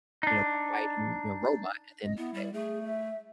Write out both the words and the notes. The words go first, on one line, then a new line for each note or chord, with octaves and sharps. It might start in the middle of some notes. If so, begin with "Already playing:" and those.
you know, providing, you know, robot at the end of the day,
D4 D#4
D#5
B3 E4
G3
A3 G#4
E5